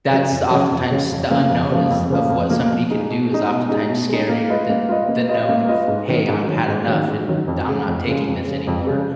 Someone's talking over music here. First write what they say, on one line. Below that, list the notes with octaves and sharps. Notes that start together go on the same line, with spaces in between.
that's oftentimes the unknown is of what somebody can do is oftentimes scarier than the known of, "Hey, I've had enough, and I'm not taking this anymore."
C#3 F#3
F2
C#3 F#3
F2
C#3 F#3
F2
C#3 F3 A#3
F2
C#3 F3 A#3
F2
C#3 F3 A#3
F2
C#3 F3 A#3
B2
G#3 D#4
B2
G#3 D#4
B2
G#3 D#4
B2
G#3 D#4
A#3
F4 B4 D#5
A#3
F4 B4 D#5
A#3
F4 B4 D#5
A#3
F4 B4 D#5
G#2
D#3 F#3
G#2
D#3 F#3
G#2
D#3 F#3
G#2
D#3 F#3
F2
C#3 G#3
F2
C#3 G#3
F2
C#3 G#3
F2
C#3 G#3